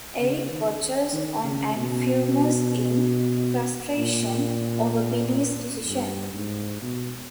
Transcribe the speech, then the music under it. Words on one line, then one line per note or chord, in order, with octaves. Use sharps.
Eric watches on and fumes in frustration over Billy's decision.
C#3
D#3
D#3
C#3
B2
A#2
G2
G#2
B2